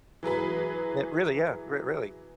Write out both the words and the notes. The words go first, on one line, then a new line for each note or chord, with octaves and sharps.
But really, yeah, r really.
E3 F#3 G#4 B4